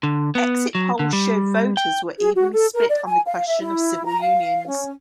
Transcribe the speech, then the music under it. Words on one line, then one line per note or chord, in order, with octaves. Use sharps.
Exit polls showed voters were evenly split on the question of civil unions.
D3
B3
F#3
D3
G3
G5
G#4
F#4
A4
A#4
D5
G#5
F5
E5
E4
A#5
F5
C#4